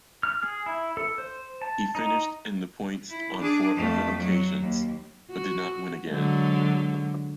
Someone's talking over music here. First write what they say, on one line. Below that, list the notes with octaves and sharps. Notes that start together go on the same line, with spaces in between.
He finished in the points on four other occasions, but did not win again.
F6
G#4
E4
A4
C5
A5
D#4
E4
D4 G#4
F2 A3
F#3
D#2
F#4
D3 F#3 G#3